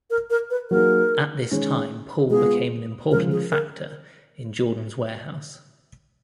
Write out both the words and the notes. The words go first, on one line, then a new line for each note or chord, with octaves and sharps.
At this time Paul became an important factor in Jordan’s warehouse.
A#4
A#4
B4
F#3 A#3 D#4 G#4 A#4
D#3 G#3 C#4
G#3 B3 F4 G#4
C#3 F3 G#3 A#4
G#4
A#4